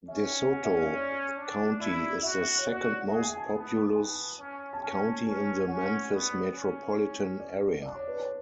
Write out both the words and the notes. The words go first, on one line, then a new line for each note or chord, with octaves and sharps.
DeSoto County is the second-most-populous county in the Memphis metropolitan area.
C#4 E5
F#5
E5
D5
C#5
D4
E4 D5
F#4 E5
C#5
F#4 D5
F#5
G#4 E5
G#5
A5
B3
B3 G#5
C#4
A5
C#4 G#5
C#4
C#4 F#5
B3 D5
C#4
D5
D4 D5
C#5
B4
C#5